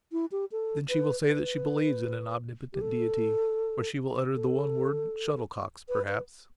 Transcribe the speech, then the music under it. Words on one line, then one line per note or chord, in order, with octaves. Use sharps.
Then she will say that she believes in an Omnipotent Deity or she will utter the one word "shuttle-cocks", perhaps.
E4
G4
A4
B4
B4
G4
A4
A4
B4
B4